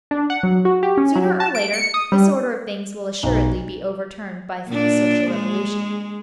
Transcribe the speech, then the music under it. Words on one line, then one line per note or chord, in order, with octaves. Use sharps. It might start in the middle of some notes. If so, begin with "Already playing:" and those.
Sooner or later, this order of things will assuredly be overturned by the social revolution.
D4
F#5
F#3
F#4
G4
C#4
F#3
A5
D7
C#7
D#6
G3
B1
A#2 D4
G#3